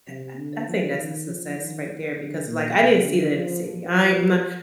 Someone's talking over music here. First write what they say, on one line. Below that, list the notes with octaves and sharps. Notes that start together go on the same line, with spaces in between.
uh uh I think that's a success right there because it's, like, I didn't see that in the city. I am a
C3
D3
F3
D#3
F3
D#3
D#3
D3
A#2
C3
D3
F3
F3